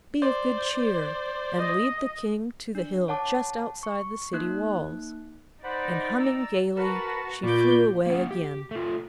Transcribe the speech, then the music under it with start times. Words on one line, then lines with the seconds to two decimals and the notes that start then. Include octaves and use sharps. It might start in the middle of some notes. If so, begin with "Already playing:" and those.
Be of good cheer, and lead the King to the hill just outside the city walls.' And humming gaily she flew away again.
0.22 C5 D5
1.59 D#5
2.75 D4
3.08 C#5 F#5 A5 D6
3.83 C#6
4.33 A#3 D#4 F#6
5.64 D#4 C5 D5 F#5 B5
6.20 A#5 E6
6.77 F#4 A#4 B4 A5 B5
7.43 A#2 A#3 F4 D5 B5 C#6 D6 G6
8.06 A#3 C#4 F#5
8.31 G4
8.71 A3 F4